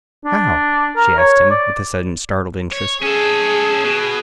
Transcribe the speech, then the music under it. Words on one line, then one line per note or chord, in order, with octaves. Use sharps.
"How?" she asked him with a sudden startled interest.
D4
A#4
C#5
D5
C#5
C#4 G#4 A4
B2